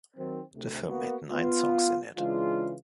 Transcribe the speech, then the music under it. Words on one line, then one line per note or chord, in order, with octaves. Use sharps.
The film had nine songs in it.
D#3 F#3 C4
D2 C3
A#3 B3 F#4
B3 F4
C#3 E3 G#3 D4 F4